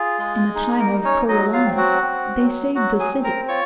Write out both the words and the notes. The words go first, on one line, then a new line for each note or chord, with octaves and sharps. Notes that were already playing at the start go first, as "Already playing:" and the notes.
In the time of Coriolanus they saved the city.
Already playing: F4 G#4
G#3
D#4 G#4
A#3 A#4
D#4
C#4 C#5
F#3 D#4 D#5
F4 F5
C4
F#4 F#5
C4
F#3
F#3 F#4 F#5
G#4 G#5
C4
A#4 A#5
F4 C#5 C#6